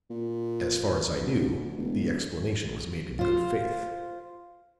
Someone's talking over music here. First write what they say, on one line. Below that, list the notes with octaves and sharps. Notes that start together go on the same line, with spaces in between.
As far as I knew the explanation was made in good faith.
A#2
D2
E1
F4 C5